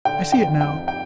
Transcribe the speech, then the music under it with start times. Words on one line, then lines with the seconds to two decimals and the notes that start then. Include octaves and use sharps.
I see it now.
0.05 D3 G5
0.32 F2 G5
0.61 G5
0.67 F2
0.88 G5